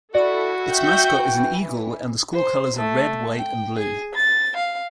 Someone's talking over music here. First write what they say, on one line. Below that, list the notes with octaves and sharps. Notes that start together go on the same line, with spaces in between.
Its mascot is an eagle, and the school colors are red, white and blue.
E4 F#4 A4 D5
E5 G5 G6
E3
C5
A3
G5
G#4
A6
F5